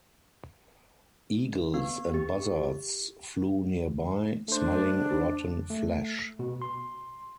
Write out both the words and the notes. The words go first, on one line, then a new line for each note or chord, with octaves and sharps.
Eagles and buzzards flew nearby, smelling rotten flesh.
B3
G4
A3 D4 C5
A3
B2
C6